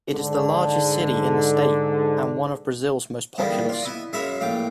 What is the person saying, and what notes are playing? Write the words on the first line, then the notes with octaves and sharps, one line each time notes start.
It is the largest city in the state and one of Brazil's most populous.
G#2 D3
E2 D3 D#3 G3 A#3 B3
F4 D5
B3 E4 D#5
F#2 G#3 C#5 E5 F5 B5
A#1 A2 F5 G5 D6